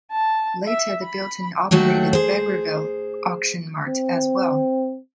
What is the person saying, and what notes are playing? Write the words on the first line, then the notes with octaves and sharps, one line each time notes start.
Later they built and operated the Vegreville Auction Mart as well.
A5
E5
B5
D#2 F#3 A3 F#4 G5
G#4 C5
C4